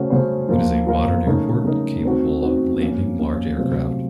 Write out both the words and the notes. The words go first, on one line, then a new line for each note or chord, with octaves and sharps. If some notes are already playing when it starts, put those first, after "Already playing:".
It is a modern airport capable of landing large aircraft.
Already playing: C#3 A3 C#4 F#4 C5
C#3 A3 C#4 F#4 C5
F3 A#3 F4 A#4
F3 A#3 F4 A#4
C#3 A3 D#4 A#4
C#3 A3 D#4 A#4
A3 C4 D#4 F#4
A3 C4 D#4 F#4
F3 A#3 C#4
F3 A#3 C#4
C3 F#3 A3 C4 F4